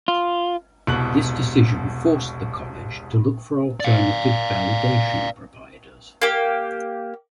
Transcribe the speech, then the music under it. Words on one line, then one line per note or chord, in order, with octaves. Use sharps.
This decision forced the college to look for alternative validation providers.
F4
E1 C2 B2 F#6 F#7
D5 F5
A#3 G4